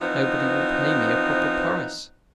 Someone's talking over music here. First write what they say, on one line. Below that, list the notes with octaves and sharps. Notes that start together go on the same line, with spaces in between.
"Nobody will pay me a proper price."
E3 F3 B3 C4 D#4